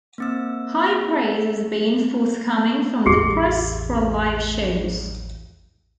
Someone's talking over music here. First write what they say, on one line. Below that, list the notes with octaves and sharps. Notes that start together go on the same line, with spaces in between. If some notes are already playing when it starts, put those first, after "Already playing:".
High praise has been forthcoming from the press for live shows.
A#3 C4 E6
A1 E2 G4 G#4